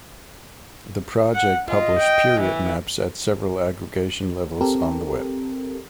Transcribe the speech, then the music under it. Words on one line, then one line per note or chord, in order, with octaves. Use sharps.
The project published period maps at several aggregation levels on the web.
F#5
F4 D#5
G5
E3
C4 G4 A4 A#4